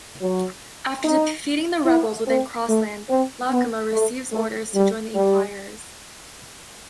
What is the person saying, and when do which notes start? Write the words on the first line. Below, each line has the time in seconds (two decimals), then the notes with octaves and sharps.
After defeating the rebels within Cross Land, Lacryma receives orders to join the Inquirers.
0.21 F#3
1.03 D#4
1.85 E4
2.27 C4
2.68 A3
3.09 C4
3.50 B3
3.92 A3
4.32 A3
4.74 G3
5.15 G3